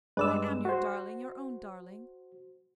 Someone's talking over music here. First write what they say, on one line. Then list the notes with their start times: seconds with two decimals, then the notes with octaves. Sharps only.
But I am your darling, your own darling.
0.17 G2 G#3 B4 D5 E6
0.65 F#4 C5